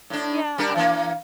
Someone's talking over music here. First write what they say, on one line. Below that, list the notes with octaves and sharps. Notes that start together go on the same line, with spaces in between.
Yeah I
A2 D4
G3 D4 A#4
E3 A#3